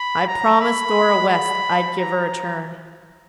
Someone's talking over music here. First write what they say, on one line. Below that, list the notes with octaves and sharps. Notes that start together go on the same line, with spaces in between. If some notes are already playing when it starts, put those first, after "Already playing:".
'I promised Dora West I'd give her a turn.
Already playing: B5
A#5
B5
B5
A#5